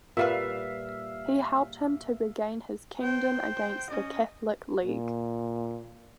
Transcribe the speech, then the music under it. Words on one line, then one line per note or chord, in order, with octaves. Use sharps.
He helped him to regain his kingdom against the Catholic League.
A#2 G3 B4 E5 F5
C5 G5
C#4 D#5
A#2